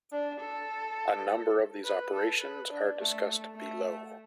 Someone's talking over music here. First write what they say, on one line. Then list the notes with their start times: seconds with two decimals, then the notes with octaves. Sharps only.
A number of these operations are discussed below.
0.12 D4
0.40 A4
1.84 B4
2.13 A4
2.41 B4
2.70 D4
2.98 A3
3.56 A3